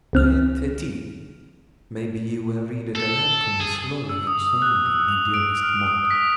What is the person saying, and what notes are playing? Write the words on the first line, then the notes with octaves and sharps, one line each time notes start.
'I am fatigue--maybe you will read it aloud to me slowly and solemnly, my dearest Maud?'
C#2 C4 F6
A4
G#4
E6
D#6
F#6
E6
F7
D7
F6
D#6
B6